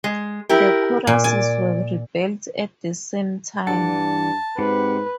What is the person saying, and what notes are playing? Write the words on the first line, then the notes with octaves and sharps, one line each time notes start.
The Choirs were rebuilt at the same time.
G#3
E4 G4 A#4
A#2
D5 G#5
G2 E3 D5 F#5 A5
G#2 C4 G4 B4 F#5